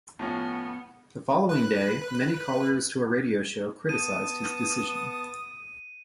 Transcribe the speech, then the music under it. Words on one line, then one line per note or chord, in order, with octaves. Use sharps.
The following day, many callers to a radio show criticised his decision.
A2 F3 B3 C#4
B4 F#6
B3 A5 D#6 D#7